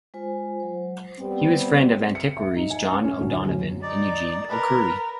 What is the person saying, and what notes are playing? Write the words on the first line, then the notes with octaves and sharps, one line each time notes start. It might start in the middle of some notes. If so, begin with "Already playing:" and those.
He was a friend of antiquaries John O'Donovan and Eugene O'Curry.
G#3 F4 C5 G#5
F#3 C5
G3 B3 C4
C#7
E5
D#4
G#5
C#4
C#4
D2
F#2
D#4 D5
A#4 B4